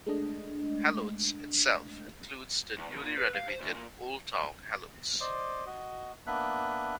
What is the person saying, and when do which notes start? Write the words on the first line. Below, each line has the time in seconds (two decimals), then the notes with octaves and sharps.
Helotes itself includes the newly renovated Old Town Helotes.
0.06 G#3 A3 D4 D#5
2.78 E2
2.90 D#2
3.03 A#2
3.18 B4
3.35 F5
3.48 C5
3.61 D2
3.75 A#2
5.20 C5 D5 D#5
5.66 F#4 D#5
6.27 A#3 B3 D4 E5 F#6